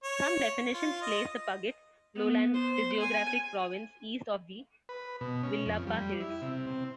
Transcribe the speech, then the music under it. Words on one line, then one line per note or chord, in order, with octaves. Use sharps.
Some definitions place the Puget Lowland physiographic province east of the Willapa Hills.
C#5
F4
D#5
B3
C5
G#5
B4
B2
C#4
F2
G3
E4
C3
C4